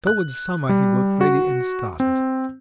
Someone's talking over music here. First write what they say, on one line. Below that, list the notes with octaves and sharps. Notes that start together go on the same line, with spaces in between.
Towards summer he got ready and started.
F#6
G3
F#4
C4